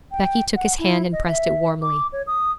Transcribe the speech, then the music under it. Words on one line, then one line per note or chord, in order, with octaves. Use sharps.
Becky took his hand and pressed it warmly.
G5
F#5
E4
D#5
E5
D6
C#5
D#6